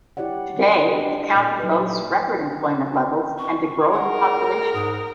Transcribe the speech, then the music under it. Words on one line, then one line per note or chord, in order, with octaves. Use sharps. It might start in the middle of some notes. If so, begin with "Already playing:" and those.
Today, the county boasts record employment levels and a growing population.
E4 G4 C#5 D5 F#5
D4 F#4 G4 A4 B4 D#5
D4
A#2 D5
F#3 A#3 D#4 B4
C#6
G#4 A#4 F#5
G#2 D#6